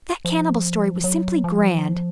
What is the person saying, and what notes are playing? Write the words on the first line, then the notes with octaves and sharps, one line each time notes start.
That cannibal story was simply grand.
F3
F#3
F3